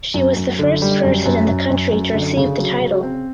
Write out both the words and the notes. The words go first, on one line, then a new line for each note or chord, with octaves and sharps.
She was the first person in the country to receive the title.
F#2
F#2
D3
G3
F#2
F#2
F#2
F#2
F#2
D3
C#3
F#3
C#3
C4